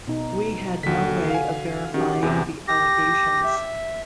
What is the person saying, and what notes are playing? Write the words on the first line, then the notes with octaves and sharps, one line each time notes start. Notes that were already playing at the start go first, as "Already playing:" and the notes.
We had no way of verifying the allegations.
B2 D#4
D#2 D3 F#4 B6
F5 G#5
D#3 C#4 F#4 G4
E2 C3 E4 G#4
G4 A#6
E5